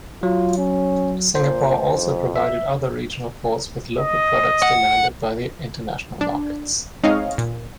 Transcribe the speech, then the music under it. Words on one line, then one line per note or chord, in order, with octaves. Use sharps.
Singapore also provided other regional ports with local products demanded by international markets.
F#3 F4
C#4
A#2 C5
F2
E5
D#5
F#5
D4
G#3 C4 D#4 C#5 D#5 F5
A#2